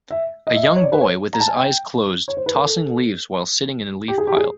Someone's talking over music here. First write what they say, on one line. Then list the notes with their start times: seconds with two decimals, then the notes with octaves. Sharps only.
A young boy with his eyes closed tossing leaves while sitting in a leaf pile.
0.11 E5
0.47 D#5
0.55 E5
0.63 D#5
0.76 C#5
0.84 D5
0.92 B4
1.01 C#5
1.33 A#5
1.40 A5
1.48 G#5
1.56 G5
2.28 C#5
2.37 C5
2.46 B4
2.55 A#4
2.64 A4
4.08 G4
4.18 G#4
4.27 G4
4.37 G#4